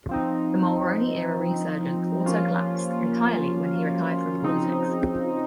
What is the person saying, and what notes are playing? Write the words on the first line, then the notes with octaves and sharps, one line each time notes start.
The Mulroney-era resurgence also collapsed entirely when he retired from politics.
F3 C4 D#4
F3 A#3 C#4 F4
C#3 F3 C4 D#4